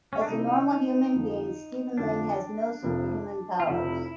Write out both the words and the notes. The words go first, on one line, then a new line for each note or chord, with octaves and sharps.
As a normal human being Stephen Lang had no superhuman powers.
C#4
D4
C3 D#3 G3 C4 D#4 E4
F2 D3 F3
F2 D3 F3 D4
F1 F2 C3 F3
F4
F1 F2 C3 F3 E4